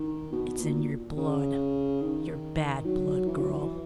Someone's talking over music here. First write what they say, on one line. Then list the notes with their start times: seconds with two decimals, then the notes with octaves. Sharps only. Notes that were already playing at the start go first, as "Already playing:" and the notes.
"It's in your blood ... your bad blood, girl."
Already playing: D#3
0.32 B2
0.61 A#2
1.17 C#3
2.01 D#3
2.86 F#3
3.28 E3
3.40 F#3
3.53 E3